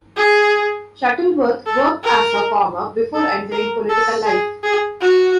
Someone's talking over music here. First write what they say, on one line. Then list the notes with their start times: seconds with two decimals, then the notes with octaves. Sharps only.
Shuttleworth worked as a farmer before entering political life.
0.17 G#4
1.66 A4
2.04 A#4
3.15 A4
3.52 A#4
3.89 A4
4.26 G#4
4.63 G#4
5.01 F#4